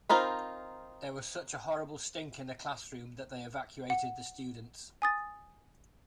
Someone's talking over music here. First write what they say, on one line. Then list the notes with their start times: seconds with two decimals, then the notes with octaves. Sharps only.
There was such a horrible stink in the classroom that they evacuated the students.
0.09 C4 D#4 F4 A#4 B5
3.90 F#5
5.02 G#5 D#6 A6